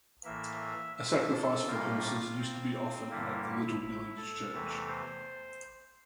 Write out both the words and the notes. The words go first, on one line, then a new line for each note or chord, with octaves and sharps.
A sacrifice for horses used to be offered at the little village church.
A2 E3 A#3 E5
E5
A4
A2 G3 A#3 F4
C4
C4
G2 D3 G3 A#3 E4
E4
E4
A4
E2 C3 E3 A3
C5